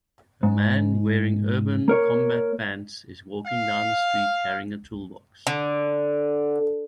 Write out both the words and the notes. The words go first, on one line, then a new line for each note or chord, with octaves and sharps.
A man wearing urban combat pants is walking down the street carrying a toolbox.
G#2
A#3 A#4 C#5
F5
D3